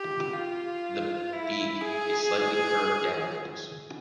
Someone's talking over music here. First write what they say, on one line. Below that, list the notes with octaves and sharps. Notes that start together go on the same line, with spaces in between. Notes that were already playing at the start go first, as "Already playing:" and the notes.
The beak is slightly curved downwards.
Already playing: G4
F4
E4
G#4